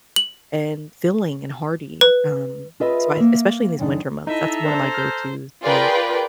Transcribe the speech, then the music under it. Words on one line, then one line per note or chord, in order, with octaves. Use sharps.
and filling and hearty, um, so, I especially in these winter months, that's one of my go-tos to make,
F#7
B4
F4 G#4 B4 D#5 E5
A#3 E5
F#2 D#3 D4
D#4 E4 A4 D#5 E5 A#5
D4 C5
F6 G6
F4 G#4 A#4 B4 D5 G5